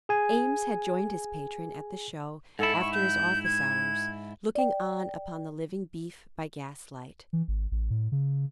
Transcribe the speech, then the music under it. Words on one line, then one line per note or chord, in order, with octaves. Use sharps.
Eames had joined his patron at the show after his office hours, looking on upon the living beef by gaslight.
G#4 G#5
G#2 E4 A4
C#6
G6
G#6
D5 G5
E3
G#1
A1
A2
C#3